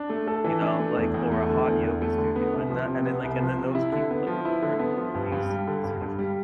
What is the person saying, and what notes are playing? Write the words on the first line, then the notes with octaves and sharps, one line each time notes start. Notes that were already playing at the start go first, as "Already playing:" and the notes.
you know, like or a hot yoga studio. And that and then, like and then those keep, like, turning over. These sort of
Already playing: D4
A3
A4
E3
D4
A3
E2
E2
A3
D3
E2
E2
A3
D3
B3
C2
F3
C3
B3
C2
F3
C3
E4
D3
B3
F3
E4
D3
B3
F3
G2
G2
G3
D3
G2
G2
G3